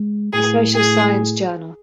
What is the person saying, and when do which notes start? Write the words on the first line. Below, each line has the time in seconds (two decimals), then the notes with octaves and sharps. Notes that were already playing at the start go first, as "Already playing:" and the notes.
The Social Science Journal.
Already playing: G#3
0.33 A2 G#4
0.75 G#4